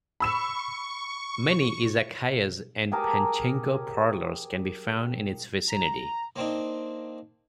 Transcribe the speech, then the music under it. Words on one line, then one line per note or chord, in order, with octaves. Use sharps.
Many "izakayas" and pachinko parlors can be found in its vicinity.
B5 C#6 E6 E7
G4 G#4 A#4 A5
A#5
A#3 C4 D4 D#4